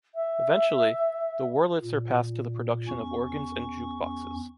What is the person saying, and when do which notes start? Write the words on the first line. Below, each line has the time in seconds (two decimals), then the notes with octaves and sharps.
Eventually, the Wurlitzer passed to the production of organs and jukeboxes.
0.15 E5
1.82 A#2
2.87 E2 C#4 C#6